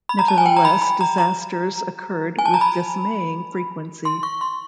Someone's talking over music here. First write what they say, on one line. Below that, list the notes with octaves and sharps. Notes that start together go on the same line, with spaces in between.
Nevertheless, disasters occurred with dismaying frequency.
B5
A#5
A5
G#5
G5
A#5
B5
B5
A#5
A#5
G#5
A5
A#5
B5
C6
C#6
C6